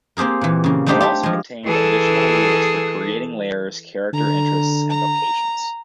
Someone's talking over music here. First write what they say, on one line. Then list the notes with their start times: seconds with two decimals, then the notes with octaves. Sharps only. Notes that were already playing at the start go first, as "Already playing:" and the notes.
It also contained additional rules for creating lairs, character interests and vocations.
0.17 A#3 C4 G4 G#4 A#4
0.41 A#2 E3
0.64 C#3 A#3
0.86 G3 A3 D4 D#4 G4 C5
1.01 G4 A4 E5
1.23 F3 G#3
1.65 E3 G#4 A4
4.13 D3 A#5
4.90 A#5